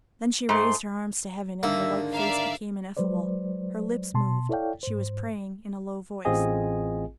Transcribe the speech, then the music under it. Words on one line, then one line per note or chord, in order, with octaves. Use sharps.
Then she raised her arms to heaven, and her white face became ineffable; her lips moved; she was praying in a low voice.
G#2 A3 C6
G#2 D3 D#3 A#3 E5
A#4 D5 E5 F5
F#3 G#3 B4 C5 D5
B2 A5 C6
E4 A4 C#5 D5 F5 G5
G#2 C5
A1 C4 F4 G#4 D#5 G#5